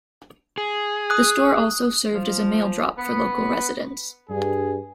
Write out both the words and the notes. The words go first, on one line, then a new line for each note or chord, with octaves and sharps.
The store also served as a mail drop for local residents.
G#4
D#6 F#6
F3
B3
G2 G#4